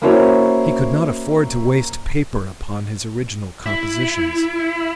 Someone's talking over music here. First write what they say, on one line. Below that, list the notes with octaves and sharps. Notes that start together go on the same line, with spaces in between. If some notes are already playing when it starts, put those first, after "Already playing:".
He could not afford to waste paper upon his original compositions.
A#3 C#4 E4 F#4 C5 C#5
E4